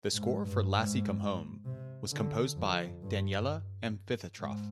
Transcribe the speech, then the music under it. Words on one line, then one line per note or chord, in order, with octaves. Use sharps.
The score for "Lassie Come Home" was composed by Daniele Amfitheatrof.
G#2
G2
G#2
C3
D3
F2
G2
G#2